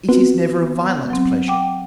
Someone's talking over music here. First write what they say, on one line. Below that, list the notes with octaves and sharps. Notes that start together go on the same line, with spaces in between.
It is never a violent pleasure.
B3 C4 F4 F#4
F#3 C4
F#5 G5 D6